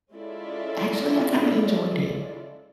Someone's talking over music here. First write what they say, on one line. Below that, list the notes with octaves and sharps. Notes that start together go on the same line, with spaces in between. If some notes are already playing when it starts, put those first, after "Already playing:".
actually, I kinda enjoyed it,
G#3 C#4 E4 F4 A4 D5